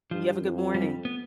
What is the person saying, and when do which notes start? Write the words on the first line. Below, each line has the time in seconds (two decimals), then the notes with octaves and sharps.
You have a good morning.
0.11 G2 F3
0.42 F2
0.74 G3
1.05 B3